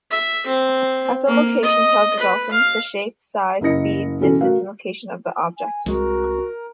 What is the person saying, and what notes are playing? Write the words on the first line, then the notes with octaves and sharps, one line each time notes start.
Echolocation tells the dolphins the shape, size, speed, distance, and location of the object.
E5
C4
A#3
D#5
B4
F5
F#1 E4 A#4 D#5 A#6 C#7
B2 E3 C#4 A4
A3 F#4 A#4 F5
G#5
C2 G#3 F#4 A#4